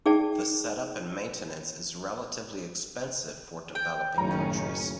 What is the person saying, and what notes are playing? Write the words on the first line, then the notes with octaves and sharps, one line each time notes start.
The setup and maintenance is relatively expensive for developing countries.
D#4 G#4 D5 G5 A5
G5
F#1 B1 A2 D#3 C#4 A#5